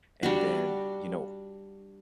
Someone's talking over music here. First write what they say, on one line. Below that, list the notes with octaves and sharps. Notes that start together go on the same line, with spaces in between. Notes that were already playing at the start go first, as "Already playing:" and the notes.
And then, you know,
G3 D4 F#4